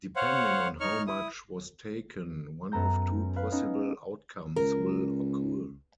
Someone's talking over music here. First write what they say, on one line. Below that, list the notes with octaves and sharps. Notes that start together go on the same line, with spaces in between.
Depending on how much was taken, one of two possible outcomes will occur.
C5 C#5 F5 F#5
D#4 C#5 C#6 F6
E4 D#6
F#2 B3 A4 A#5 G6
B4 F5
B3 C#4 D#4
C#2 A#4